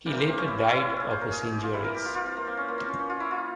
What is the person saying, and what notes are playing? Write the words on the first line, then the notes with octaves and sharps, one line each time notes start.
He later died of his injuries.
C3 E3 G3 G4
A#3 C4
C4
C#4
E4
C#4
E4
F4
G#4
C5
A#4
G#4
G#4
G4
F4
C3 E3 G3 E4
A#4
G4
F4
F4
C4
A#3
C4
C#4
A#3
C4
C#4
C#4
F4
E4
F4